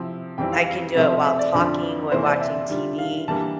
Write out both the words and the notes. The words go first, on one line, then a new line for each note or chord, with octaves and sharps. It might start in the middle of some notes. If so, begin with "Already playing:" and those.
I can do it while talking, while watching TV,
Already playing: C3 F3 C4 E4
F2 E3 G3 C4 E4 G5
F5
F5
C3 F3 A3 C4 E5
E5
D5
F2 D3 F3 C4 F4
C3 E3 A#3 E4 C5
D5
E5
D3 G3 D4 F4
F5
E3 G3 A#3 D4 A5